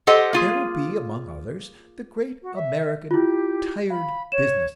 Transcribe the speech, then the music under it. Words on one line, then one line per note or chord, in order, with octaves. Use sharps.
There will be, among others, the great American tired business man.
G4 A4 C5 D#5 F#5
A#3 F4 G#4
F#4
E5
E4 F4 G4
F5 B5
C#5 E7